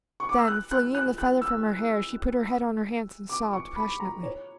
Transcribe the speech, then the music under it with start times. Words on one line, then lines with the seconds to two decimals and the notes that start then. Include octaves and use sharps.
Then, flinging the feather from her hair, she put her head on her hands, and sobbed passionately.
0.20 C#6
0.29 D6
0.38 E6
0.48 F#6
0.71 F#6
0.95 F#6
1.18 F#6
1.42 E6
3.29 D6
3.53 C#6
3.76 B5
4.00 A#5
4.23 C#5